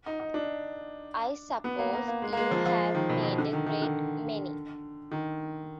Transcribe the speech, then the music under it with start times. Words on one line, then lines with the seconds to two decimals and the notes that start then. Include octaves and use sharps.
I suppose you have made a great many?
0.06 D#4
0.20 D#4
0.34 D4
1.64 B3
1.79 A#3
1.93 A#3
2.08 A#3
2.22 G#3
2.33 A#3
2.37 G#3
2.51 F3
2.66 F3
2.94 D#3
3.09 B2
3.23 B2
3.38 D3
3.53 D#3
3.66 D#3
3.82 D3
5.11 D#3